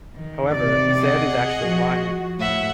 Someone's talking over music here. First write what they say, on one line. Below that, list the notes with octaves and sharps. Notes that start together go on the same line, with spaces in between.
However, Zedd is actually lying.
D#3
E2 C3 D5
G#4 D#5 F#5
F3 F#4
A2 E5 F#5